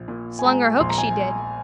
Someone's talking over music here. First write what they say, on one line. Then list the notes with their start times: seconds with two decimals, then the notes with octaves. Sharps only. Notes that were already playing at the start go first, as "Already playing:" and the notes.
Slung her hook, she did.
Already playing: A#1
0.08 A#2
0.39 G#5
0.44 G#3 A#5
0.80 A#1 C6
0.89 A#5
0.98 G#5